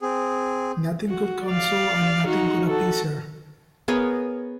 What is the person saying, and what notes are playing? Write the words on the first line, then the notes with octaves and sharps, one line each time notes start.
Nothing could console and nothing could appease her.
C4 G#4
F#4
D5 F5
D#4 F#4
F#4 A4
B3 G#4 A#4 C#5